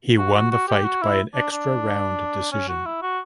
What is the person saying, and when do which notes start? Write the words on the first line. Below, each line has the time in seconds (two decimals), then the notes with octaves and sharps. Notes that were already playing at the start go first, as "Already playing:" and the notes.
He won the fight by an extra round decision.
0.18 F#4
0.35 F#4
0.51 F#4
0.68 G4
0.84 F#4
1.02 E4
1.34 D4
1.52 D4
2.52 C#4
2.68 F#4
2.85 E4
3.02 F#4